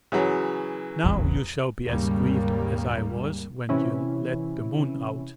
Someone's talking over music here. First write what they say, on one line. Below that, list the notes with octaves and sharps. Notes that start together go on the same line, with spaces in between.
'Now you shall be as grieved as I was when you let the moon out.'
C#3 E3 F#3
D#1 A1 E2
D#2 G#2 C#3 G3 A#3
C3 E3 C#4 E4